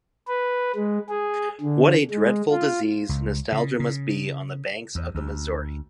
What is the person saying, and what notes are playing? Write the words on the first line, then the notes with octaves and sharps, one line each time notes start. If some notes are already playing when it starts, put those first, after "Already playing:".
What a dreadful disease nostalgia must be on the banks of the Missouri.
B4
G#3
G#4
D3
G#3
F4
C#2
C#3
C#3
E2
D2